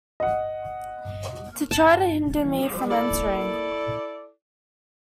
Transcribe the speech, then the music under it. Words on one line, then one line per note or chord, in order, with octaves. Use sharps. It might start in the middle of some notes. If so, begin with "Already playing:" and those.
To try to hinder me from entering.
D#5 F#5
A5
E4 A4 D5